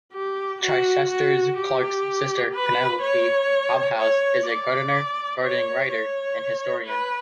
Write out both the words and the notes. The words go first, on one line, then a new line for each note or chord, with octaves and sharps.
Chichester-Clark's sister, Penelope Hobhouse, is a gardener, gardening writer and historian.
G4
F#4
F#4
G4
B4
C#5
C#5
D5
C#5
C#5
B4